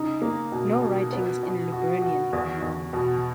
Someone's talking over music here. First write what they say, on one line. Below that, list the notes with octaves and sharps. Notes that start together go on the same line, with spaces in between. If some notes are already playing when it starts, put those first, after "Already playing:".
No writings in Liburnian are known.
Already playing: C#3 D#4
A#3
B2
B2
B3
B2
F#4
F#4
E2
E2
B2